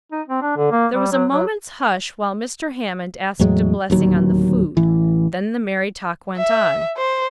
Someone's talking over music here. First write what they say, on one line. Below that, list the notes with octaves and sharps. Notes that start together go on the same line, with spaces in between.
There was a moment's hush while Mr. Hammond asked a blessing on the food; then the merry talk went on.
D#4
C4
D4
D3
A#3
G3
F#3
F#3
E2 A2 F#3 G#3
D1 D#2 F#3
A1 E3
E5
C5